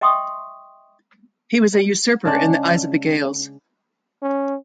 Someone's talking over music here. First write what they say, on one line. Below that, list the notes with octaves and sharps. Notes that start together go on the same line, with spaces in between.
He was a usurper in the eyes of the Gaels.
D#5 E5 G5 C6 C#6 D#6
C#3 G#3 C#4 D4
C#4